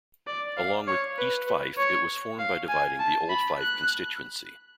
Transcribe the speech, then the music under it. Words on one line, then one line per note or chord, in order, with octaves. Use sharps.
Along with East Fife, it was formed by dividing the old Fife constituency.
D5
F5
C#5
B4
B4
C#5
F5
G#5
A5
B5
F#6